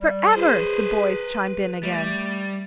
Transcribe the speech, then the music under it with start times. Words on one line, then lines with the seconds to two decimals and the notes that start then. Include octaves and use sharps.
"For ever!" the boys chimed in again.
0.01 G3
0.34 G#4 B4 C5
1.83 G3 A3